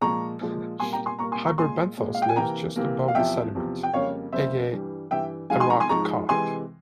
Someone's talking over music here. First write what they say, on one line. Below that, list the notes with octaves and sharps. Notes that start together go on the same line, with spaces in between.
Hyperbenthos lives just above the sediment, e.g., a rock cod.
A#2 F3 G#3 A#5 C#6
A#2 F3 G#3
A#2 G3 A#3 G#5 C6
G5 A#5
G#5 C6
A#2 G3 A#3 A#5 C#6
G#5 C6
A#5 C#6
A#2 G#3 G#5 C6
A#2 G#3
F5
G5
G#5
C3 E3 A#3 G5 A#5
C3 E3 A#3
F5
E2 C3 F3 E5 G5
E2 C3 F3
G5
F2 C#3 G3 A#3 C#5 F5
F2 C#3 G3 A#3 C5 E5
G2 E3 G3
G2 E3 G3 E5 G5
G#2 F3 G#3 F5 G#5
G#5 C6
A#5 C#6
G#5 C6
G#2 F3 G#3 A#5 C#6
C3 E3 G#3 G#5 C6